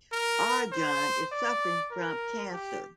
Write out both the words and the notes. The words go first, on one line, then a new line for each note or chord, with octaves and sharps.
Arjun is suffering from cancer.
A#4
C5
D5
A#4
G4